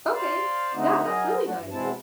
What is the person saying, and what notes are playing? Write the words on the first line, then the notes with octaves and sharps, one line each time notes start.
Okay. Yeah, that's really nice.
C5 D5 F5
D3 A3 C4 D#4 F#4
F#3 G#4 A#4 D#5
A2 F#3 D4 F#4
G2
E2 B2 G#3 C4 E4 A5